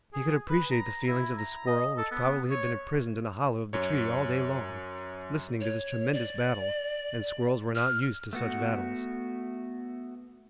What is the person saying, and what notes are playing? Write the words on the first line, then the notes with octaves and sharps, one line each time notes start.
He could appreciate the feelings of the squirrel, which probably had been imprisoned in a hollow of the tree all day long, listening to this tremendous battle, and squirrels were not used to such battles.
G#4
B4
A#5
E4
A#5
D#5
A4
B3
C#5
F#2 C#5
C#5
D5
F6
A3 B3 F#4